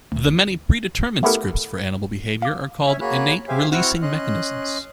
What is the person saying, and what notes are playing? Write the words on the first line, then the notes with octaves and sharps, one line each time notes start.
The many predetermined scripts for animal behavior are called innate releasing mechanisms.
D2
A3 B3 E4 G4 A4 A#4
F5 D6
C#4 C#5 E5 G#5
A#3 F#4 G#4 C#5 B5 F#6
G4 G#4 C5 E5 F5 G#5
C4 E4 F#4 F#5 C#6 F6
C#4 D#5 C6 F#6